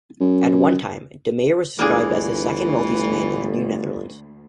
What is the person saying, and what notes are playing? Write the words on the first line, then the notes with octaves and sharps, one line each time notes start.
At one time, DeMayer was described as "the second-wealthiest man in the New Netherlands".
F#2
G1 D2 E3 A#3 D4 G#4